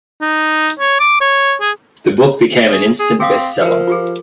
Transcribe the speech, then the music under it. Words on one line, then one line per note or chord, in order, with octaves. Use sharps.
The book became an instant bestseller.
D#4
C#5
D6
C#5
G#4
G#4
G#4
C4 G#4 F5 D#6
F5
F3 A4 A#4
F4 G4 G#4